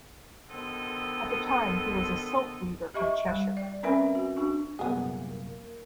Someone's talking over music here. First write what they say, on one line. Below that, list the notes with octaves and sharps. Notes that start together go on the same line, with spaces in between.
At the time he was a silk weaver from Cheshire.
B2 D3 D#3 A4 C5 D#5
G4 D#5 E5 C#6
G3
D5
C4 C#4 A#4 B4 E5 G#5
F#4
D4 F#4
C2 F#2 A#2 A#3 B3 G#4